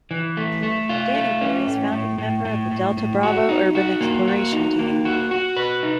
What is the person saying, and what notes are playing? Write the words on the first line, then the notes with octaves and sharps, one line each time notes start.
Danny Boy is founding member of the Delta Bravo Urban Exploration Team.
E3
A3
A3
F4
A3
C#4
A2
A2
A2
A2
A2
A2
F#4
D#4
F#4
A#3
F#4
D#4
A#3
F#4
F#4
B4
D#4